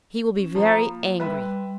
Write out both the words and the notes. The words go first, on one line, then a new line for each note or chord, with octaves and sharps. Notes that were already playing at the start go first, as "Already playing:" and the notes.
"He will be very angry."
C#4
F3 C5 A#5 B5
A#3
G3 B4 E5 B5 C6